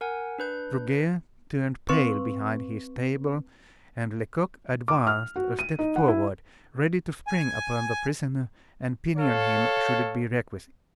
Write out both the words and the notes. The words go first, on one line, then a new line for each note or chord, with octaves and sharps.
Goguet turned pale behind his table, and Lecoq advanced a step forward, ready to spring upon the prisoner and pinion him should it be requisite.
A#4 F#5 G#5
D4 B4 G6
C4 B4 C6 C#6
D6
F6
F#4
D#7
D#4
F#5
E4
G#5
A4 C#5 F5